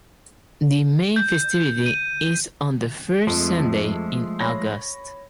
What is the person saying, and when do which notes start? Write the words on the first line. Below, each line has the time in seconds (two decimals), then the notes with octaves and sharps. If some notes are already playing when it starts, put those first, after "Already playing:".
The main festivity is on the first Sunday in August.
1.16 G6
1.86 D#7
3.27 F2 F3 G#3 A3
4.40 C#5 B5 A#6